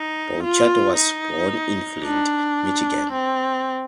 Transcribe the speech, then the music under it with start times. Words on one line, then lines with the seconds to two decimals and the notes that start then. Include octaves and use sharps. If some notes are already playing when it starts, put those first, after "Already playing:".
Bouchard was born in Flint, Michigan.
Already playing: D#4
0.43 F4
0.96 D#4
2.04 D4
3.12 C4